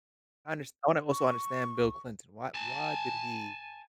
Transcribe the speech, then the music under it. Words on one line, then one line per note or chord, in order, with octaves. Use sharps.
Unders I wanna also understand Bill Clinton. Why why did he,
C#6
G#5 A5